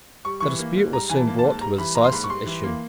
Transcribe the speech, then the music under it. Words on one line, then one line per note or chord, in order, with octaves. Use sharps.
The dispute was soon brought to a decisive issue.
G3 C#6
E3 C#6
A#3
G#2
G3 A#5
E3 G#5
A5
A#3
A5
G#2
G3 A#5
E3 B5
A#3 A#5
C6
G#2 B5
C#6
G3 C6
E3
A#3